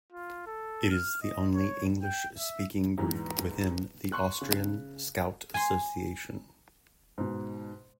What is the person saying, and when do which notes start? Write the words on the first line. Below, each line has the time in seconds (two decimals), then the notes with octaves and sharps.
It is the only English-speaking group within the Austrian Scout association.
0.12 F4
0.47 A4
0.91 F6
1.22 D#5
1.54 C#5
2.03 G5
2.38 E5
2.98 E2 G#2 E3
4.12 C6 C#6 F#6
4.41 C#3
5.54 G#5 C6
7.18 G#2 B2